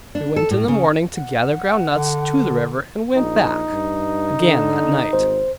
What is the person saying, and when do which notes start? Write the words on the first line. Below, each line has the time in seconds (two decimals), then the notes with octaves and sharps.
We went in the morning to gather ground nuts, to the river, and went back again that night.
0.15 D4
0.36 A4
0.51 A2
0.68 C#3
1.15 F#5
1.87 D3
3.16 A#1 D#4
3.72 G2
4.39 D3
5.13 G#1 C5